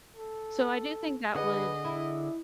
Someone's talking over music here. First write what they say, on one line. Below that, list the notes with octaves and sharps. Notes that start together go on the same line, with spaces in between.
So I do think that would
A4
D3 G#4 B4 D#5 F#5
E4 E5